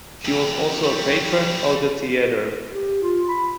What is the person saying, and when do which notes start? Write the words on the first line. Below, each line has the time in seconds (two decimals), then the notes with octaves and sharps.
She was also a patron of the theatre.
0.25 F2 C3
0.84 F#3 G3
2.72 G4
3.02 F4
3.29 B5